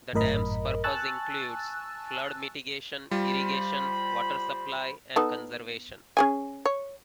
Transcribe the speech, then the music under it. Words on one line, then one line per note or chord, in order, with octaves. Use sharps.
The dam's purpose includes flood mitigation, irrigation, water supply and conservation.
G#1 F#2 A2 A#4 D#5 B5
G#5 A5 C#6 E6 F#6 A6
G3 F4 C5 B5
B3 D#4 A4
C#4 G#4 G#5
C#5